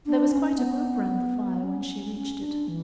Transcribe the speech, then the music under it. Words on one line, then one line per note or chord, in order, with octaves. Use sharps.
There was quite a group round the fire when she reached it.
D4
C#4
B3
C#4
C#4
D4
E3